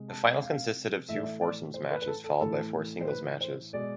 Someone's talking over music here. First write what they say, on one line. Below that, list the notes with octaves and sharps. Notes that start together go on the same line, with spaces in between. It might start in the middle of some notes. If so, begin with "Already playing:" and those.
The final consisted of two foursomes matches followed by four singles matches.
Already playing: C3 G#3
A5
F5
A2 E3 A3 E5
D5
E5
D5
C5
B4
B4
A4
A4
A2 E3 A3 A4
C5
B4
C5
B2 G#3 D5